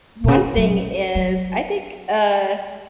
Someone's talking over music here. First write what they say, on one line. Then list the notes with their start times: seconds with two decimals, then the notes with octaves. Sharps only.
one thing is I think, uh,
0.24 B2
0.28 C#3
0.57 F#3
1.15 F#3